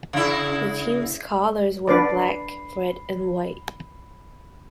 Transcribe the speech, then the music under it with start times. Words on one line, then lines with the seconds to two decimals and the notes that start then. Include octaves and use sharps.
The team's colors were black, red and white.
0.13 C#3 E4
1.87 D4 B4 D5 B5 C7